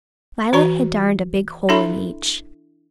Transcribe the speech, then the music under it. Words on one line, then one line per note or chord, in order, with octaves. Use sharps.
Violet had darned a big hole in each.
E3 F#4 C#5 A#5 C#6
D4 E4 A4 E5 B5 C6